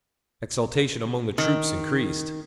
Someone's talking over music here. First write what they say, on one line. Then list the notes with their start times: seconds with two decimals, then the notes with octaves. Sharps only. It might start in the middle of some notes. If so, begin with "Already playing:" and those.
Exultation among the troops increased.
1.38 D#3